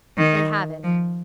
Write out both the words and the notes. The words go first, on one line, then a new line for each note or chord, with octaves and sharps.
They have it.
D#3
F3